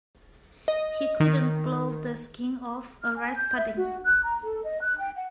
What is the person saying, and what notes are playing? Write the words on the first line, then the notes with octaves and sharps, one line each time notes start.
He couldn't blow the skin off a rice pudding.
D#5
D#3
F6
G#5
G6
E5
F#4
F#6
A#5
A4
D#5
F#6
G5
F#5